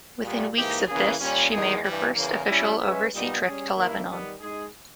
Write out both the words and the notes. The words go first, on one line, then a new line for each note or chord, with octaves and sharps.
Within weeks of this she made her first official overseas trip to Lebanon.
A#2 G3 B3
G#2 E3 A#3 D#4 G4
C#3 E3 A#3 C#4 G#4
A#2 G3 C#4
E2 D#3 G#3 D#4 G#4
G2 E3 G3
E2 C#3 E3 A#3
G3 C#4 E4
G#3 C#4 G#4 B4 E5
A#2 G3 B3 D#4
G3 C#4 G#4
G2 D#3 A#3 E4
D#3 G3 B3
G#3 D#4 G#4